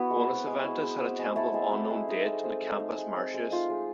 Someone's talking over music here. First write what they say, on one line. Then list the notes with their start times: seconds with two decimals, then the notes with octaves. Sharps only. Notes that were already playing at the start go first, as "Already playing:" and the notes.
Bonus Eventus had a temple of unknown date in the Campus Martius.
Already playing: B3 E4 F#4 B4
0.10 G#3
0.28 C4
0.47 G#3
0.64 E4
0.83 G#3
1.01 C4
1.19 G#3
1.36 A3 E4 A4
1.54 G#3
1.72 C4
1.90 G#3
2.09 D#4
2.26 G#3
2.44 C4
2.62 G#3
2.80 D#4
2.98 G#3
3.16 C4
3.34 G#3
3.51 D#4 F4
3.70 G#3